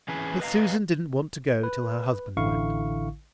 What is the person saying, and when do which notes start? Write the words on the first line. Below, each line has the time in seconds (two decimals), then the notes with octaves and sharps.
But Susan didn't want to go till her husband went.
0.08 E3 C#4 G#4 B4
0.40 B4 D#5 F5 A#5
1.63 B4
2.37 A1 D3 E4 F5 C#6